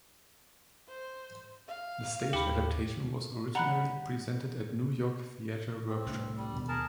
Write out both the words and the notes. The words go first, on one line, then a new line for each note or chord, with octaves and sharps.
The stage adaptation was originally presented at New York Theatre Workshop.
C5
F5
D#2 G4 B5
G3 F#5 A#5 B5 F#6
C4
C2 A2 D4
G3
D#2 B2
G#4 A#4 A5